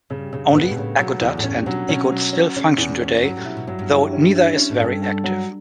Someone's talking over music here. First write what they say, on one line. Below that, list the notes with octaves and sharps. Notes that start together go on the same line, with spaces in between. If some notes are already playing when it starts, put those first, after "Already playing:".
Only Agudath and Iggud still function today, though neither is very active.
G2 C#3
F#2 C#3
A2
G2 B3
B2
A2 C#3
B2 F#3
E2 C#3
A2
G2 C#4
B2 F#3
B2 C#4
F#3
C#4
C#3 C#4
D3
E2 C#3
C#3 C#4
F#2 F#3
G2
A2
B2 E4
B2
G2 F#3
G2
E4
C#4
E4
C#4
A2
G2 A4
A4
F#3